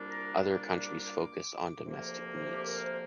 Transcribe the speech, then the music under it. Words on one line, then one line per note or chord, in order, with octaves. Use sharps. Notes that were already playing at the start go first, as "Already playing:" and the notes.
Other countries focus on domestic needs.
Already playing: C2 A#2 G3 A#3 D4
A#5
D6
D2 C3 F3 A#3
C5
G4
A#4
C5